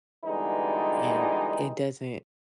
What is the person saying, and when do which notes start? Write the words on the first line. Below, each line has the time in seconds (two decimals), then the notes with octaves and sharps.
And, it doesn't
0.25 B2 D3 E3 G3 G#3 D#4